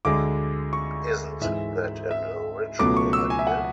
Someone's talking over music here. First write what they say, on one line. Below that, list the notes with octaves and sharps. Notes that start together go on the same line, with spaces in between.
Isn't that an original idea?
D2 D3 G#3 D6
C#6
G#2 E3 G#3 E5
E5
C#2 B2 F#3 A3 D6
C#6
E6
G#5
E5
F#5